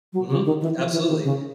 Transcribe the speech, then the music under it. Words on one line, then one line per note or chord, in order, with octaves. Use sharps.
Mhm. Absolutely.
F#3
C#3
D#3
E3
F3
E3
D#3
C#3